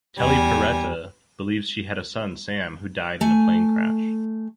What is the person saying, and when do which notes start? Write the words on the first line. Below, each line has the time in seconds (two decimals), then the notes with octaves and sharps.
Telly Paretta believes she had a son, Sam, who died in a plane crash.
0.18 E2 G3 G#5
3.21 A3 G#5